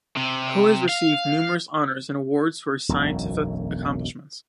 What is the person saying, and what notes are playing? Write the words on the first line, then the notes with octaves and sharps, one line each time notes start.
Ho has received numerous honors and awards for his scientific accomplishments.
C3
F5
E1 B1 F#2